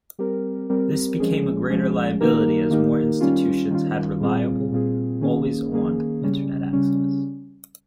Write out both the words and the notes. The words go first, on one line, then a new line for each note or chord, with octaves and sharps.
This became a greater liability as more institutions had reliable, "always-on" Internet access.
G3 C4 G4 A#4
G3 C4 G4 A#4
F3 G#3 C#4 G#4
F3 G#3 C#4 G#4
D#3 A#3 D#4 G4 A#4
D#3 A#3 D#4 G4 A#4
D#3 G3 C#4 F4
D#3 G3 C#4 F4
A#2 G3 C4 F4 G#4
A#2 G3 C4 F4 G#4
D#3 A#3 C#4 G#4
D#3 A#3 C#4 G#4
C#3 G3 C#4
C#3 G3 C#4